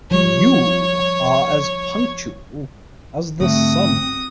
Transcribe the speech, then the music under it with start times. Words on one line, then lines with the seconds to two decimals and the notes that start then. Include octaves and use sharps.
You are as punctual as the sun.
0.11 F3 G3 C#5
3.40 G#2 D3 G3 A3 C4 F#4 D#6